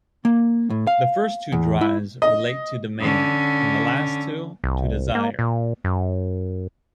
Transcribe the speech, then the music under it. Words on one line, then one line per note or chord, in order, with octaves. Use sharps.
The first two drives relate to demand and the last two to desire.
A#3
A2
F5
E2
E4
D#5
D3 C#4
C2
A#3
A#2
F#2